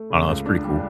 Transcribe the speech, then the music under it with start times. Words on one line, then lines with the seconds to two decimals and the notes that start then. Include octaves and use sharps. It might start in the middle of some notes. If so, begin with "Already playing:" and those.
I don't know, it's pretty cool.
Already playing: A3
0.10 C#3
0.28 C#2
0.46 D4
0.64 G3